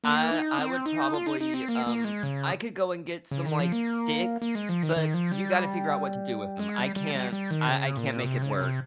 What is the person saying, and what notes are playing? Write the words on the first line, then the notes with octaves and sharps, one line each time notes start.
I I would probably, um, I could go and get some, like, sticks, but you gotta figure out what to do with them. I can't I I can't make it work.
A#3
D#4
C4
D#4
F4
D#4
D#4
C4
A#3
A#3
G#3
C#3
C#3
D#3
F3
A#3
A#3
G#3
F3
D#3
D#3
F3
G3
G#3
G3
G3
G3
G3
D#3
C#3
A#2
C3
C#3
C3